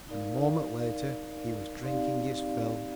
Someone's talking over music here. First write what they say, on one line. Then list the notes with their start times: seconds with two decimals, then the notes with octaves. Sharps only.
And a moment later he was drinking his fill.
0.09 D#4 A#4 D5 F5
1.83 C4 D#4 G4 D5 F5